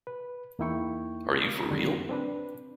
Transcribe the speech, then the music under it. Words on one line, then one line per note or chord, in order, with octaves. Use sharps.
Are You for Real?
B4
E2 A#3 D#4 E4 G5 C#6
F2 D3 D#3 G3
C4 D4 B4